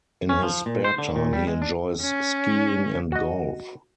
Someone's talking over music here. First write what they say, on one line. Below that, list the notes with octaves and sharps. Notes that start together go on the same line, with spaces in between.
In his spare time he enjoys skiing and golf.
C#4
F3
A#2
C5
D3
A#2
G3
G#3
D4
C#4
F#4 D#5